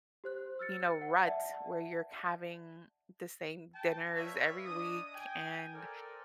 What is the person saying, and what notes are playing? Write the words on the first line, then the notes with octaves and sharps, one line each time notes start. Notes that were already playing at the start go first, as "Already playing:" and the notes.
you know, rut where you're having the same dinners every week and,
G4 C5 F#6
E6 F6 A6 C#7
F#5
D5 E5 F#5 A5
G5 A5
B4 C#5 D5 E5 F5 G5
D4 D#5 D#6
G5 G#5
A4 A#4 C5 D5 G5 G#5